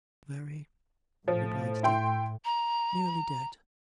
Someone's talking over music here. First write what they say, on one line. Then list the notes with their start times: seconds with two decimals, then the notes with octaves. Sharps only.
'Very,' replied Dick. 'Nearly dead.
1.28 A2 F3
1.83 E4 G5 C6
2.44 A#5